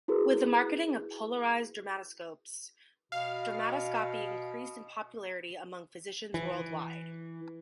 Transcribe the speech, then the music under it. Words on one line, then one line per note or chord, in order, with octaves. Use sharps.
With the marketing of polarised dermatoscopes, dermatoscopy increased in popularity among physicians worldwide.
E4 F#4 G#4 A#4 B4
B2 F5
E3